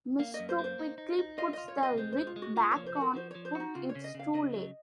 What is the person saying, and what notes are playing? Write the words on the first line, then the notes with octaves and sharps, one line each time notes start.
Mysto quickly puts the wig back on, but it's too late.
A#3 F5
D#5
F#2
C5
A#3
C5
D#4
D#4
D#4
F4 D#5
F4 D#5
C#5
C4 D#5
G#3 C5
G#3 C5
F4
G#3
F#4
A#3 F4
F3 C#5
C5
F#4 A#4
F3 C5
F3 C#5
C5
D#4 F#4
C#3 F4
C#5
C#3
D#5
C#3 F5
C#3 D#5
F#3